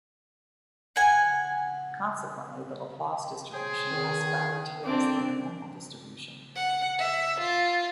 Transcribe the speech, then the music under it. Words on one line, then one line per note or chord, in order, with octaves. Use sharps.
Consequently, the Laplace distribution has fatter tails than the normal distribution.
F#5 G#5
G#4 C5 C#5 G5
E2 D#3
F2 A#3 C4 D4 D6
F#5
E5
F4